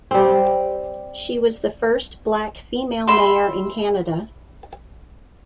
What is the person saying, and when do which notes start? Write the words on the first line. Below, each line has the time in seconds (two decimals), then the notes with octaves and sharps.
She was the first black female mayor in Canada.
0.11 G3 C4
3.07 E5 B5 C6